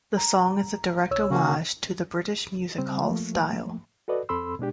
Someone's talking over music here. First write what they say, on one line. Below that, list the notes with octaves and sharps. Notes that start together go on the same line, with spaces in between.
The song is a direct homage to the British music hall style.
A#5
C2 C#5 E6
C#3 A#3 C#4 F#4
C#3 G3 C4
F3 A3 A#3
F#4 A4 B4 D5 D#5
F2 C4 A4 B5 C6 E6
B2 G#3 D4 G4